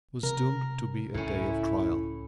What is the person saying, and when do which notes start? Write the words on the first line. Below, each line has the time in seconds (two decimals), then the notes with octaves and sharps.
It was doomed to be a day of trial.
0.23 C3 A#4
1.14 C#2 A2 C#4 E4